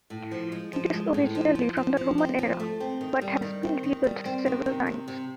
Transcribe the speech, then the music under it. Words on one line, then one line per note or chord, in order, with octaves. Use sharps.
It is originally from the Roman era, but has been rebuilt several times.
A2
F3
G#3
F3
G#3
A2
F3
F3
F3
F3
C4
F3
A3
C4
D#3
G3
D#3
C4
D#3
G3
C4
D#3
C3
C3
C3